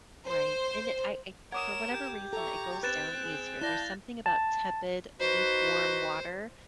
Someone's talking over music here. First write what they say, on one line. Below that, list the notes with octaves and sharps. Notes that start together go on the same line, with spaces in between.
Right, and i I i for whatever reason, it goes down easier, there's something about tepid lukewarm water
C5
A#4 C#5 F#5 D6 D#6 G#6 E7
G4 G6 G#6
A4 E5 A#5 C#6
C4 B4 F#6 A6 E7
G#4
E4 D5 F5 A5 G6 A#6 E7
A5
D#4 F#4 B4 C5